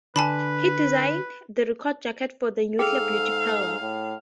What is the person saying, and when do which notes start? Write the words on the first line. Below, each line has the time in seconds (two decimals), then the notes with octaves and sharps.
He designed the record jacket for The Nuclear Beauty Parlor.
0.16 D3 B4 G#5 A5 B5
2.79 G#2 G#4 A4 F5 G5
3.81 A2